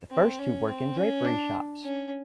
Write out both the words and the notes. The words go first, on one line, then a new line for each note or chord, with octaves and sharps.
The first two work in drapery shops.
C4
C#4
C4
C#4
D4
C#4